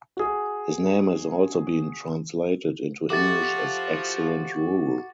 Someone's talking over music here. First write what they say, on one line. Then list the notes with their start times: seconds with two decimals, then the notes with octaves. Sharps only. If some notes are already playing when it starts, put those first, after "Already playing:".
His name has also been translated into English as Excellent Rule.
0.17 F#4 G#4
3.10 F3 F#4 G4 A4 E5 D6 A6